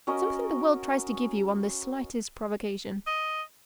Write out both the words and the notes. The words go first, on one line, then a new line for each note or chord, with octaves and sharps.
Something the world tries to give you on the slightest provocation.
C#4 F#4 A#4 D#5
D#5